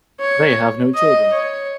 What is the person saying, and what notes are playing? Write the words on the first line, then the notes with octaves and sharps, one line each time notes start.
They have no children.
C#5
D#5
C#5